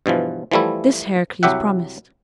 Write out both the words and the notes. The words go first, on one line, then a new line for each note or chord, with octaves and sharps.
This Heracles promised.
G2 B2 E3 F3
E3 F3 G3 A3 E4
C2 F#3 G4 E5 F#5